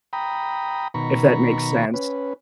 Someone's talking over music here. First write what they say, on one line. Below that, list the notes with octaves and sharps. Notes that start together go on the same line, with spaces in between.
if that makes sense.
G5 A#5 B5 D#6
B2 D#3 A#5 B5 C#6
C#4 B4